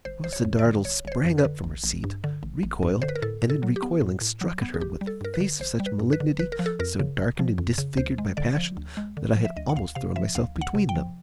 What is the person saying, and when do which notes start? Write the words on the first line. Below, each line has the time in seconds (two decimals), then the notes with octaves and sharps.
Rosa Dartle sprang up from her seat; recoiled; and in recoiling struck at her, with a face of such malignity, so darkened and disfigured by passion, that I had almost thrown myself between them.
0.05 G1 C5
0.24 G1 C5
0.33 C#5
0.45 F2
0.59 D5
0.66 D3
0.85 G1 C#5
1.05 G1 C#5
1.12 C5
1.25 F2
1.38 B4
1.45 D3
1.64 A1
1.84 A1
2.04 G2
2.24 D3
2.43 A1
2.63 A1
2.83 G2
3.02 D3 C5
3.09 B4
3.16 A#4
3.22 A2 A4
3.42 A2
3.50 A4
3.63 F#3
3.76 G4
3.83 B3
4.01 A2
4.21 A2
4.41 F#3
4.62 B3
4.74 G#4
4.80 A1 G4
5.01 G3
5.07 A4
5.21 G2 A#4
5.34 B4
5.40 D3
5.60 A1 C5
5.80 G3
5.86 B4
5.99 G2
6.13 B4
6.20 D3
6.39 G1 B4
6.52 A#4
6.59 F3
6.66 A4
6.79 F2 A#4
6.99 C#3
7.18 G1
7.39 F3
7.58 F2
7.78 C#3
7.97 D2 C5
8.18 G#3
8.37 D3 D5
8.57 F3
8.77 D2
8.97 G#3
9.17 D3
9.37 F3
9.45 E5
9.57 D2 D#5
9.69 F#5
9.76 D2 F5
9.95 C3 F5
10.16 F3 E5
10.35 D2 F5
10.56 D2
10.61 F#5
10.75 C3
10.89 G5
10.96 F3